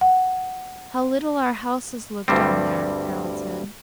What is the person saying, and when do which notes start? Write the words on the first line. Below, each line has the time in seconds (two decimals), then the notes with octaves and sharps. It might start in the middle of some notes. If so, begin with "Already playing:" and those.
"How little our houses look down there!" Harald said.
0.01 F#5
2.28 D2 G2 G3 C4